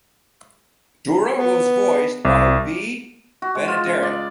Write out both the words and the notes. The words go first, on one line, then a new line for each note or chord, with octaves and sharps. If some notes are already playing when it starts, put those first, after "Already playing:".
Dora was voiced by Bea Benaderet.
B3
C2
F#4
G#3
F4
C#3
D5